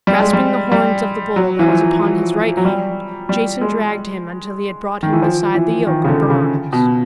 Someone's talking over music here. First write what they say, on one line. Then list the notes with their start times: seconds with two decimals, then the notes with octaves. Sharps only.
Grasping the horns of the bull that was upon his right hand, Jason dragged him until he had brought him beside the yoke of bronze.
0.07 G3
0.20 G#3
0.33 G3
0.72 G3
1.36 F#3
1.59 E3
1.68 F3
2.57 F#3
2.65 G3
3.29 G3
3.61 G#3
5.03 D#3
5.13 E3
5.22 F3
5.54 E3
5.87 D#3
6.04 C#3
6.08 D3
6.30 C#3
6.73 B2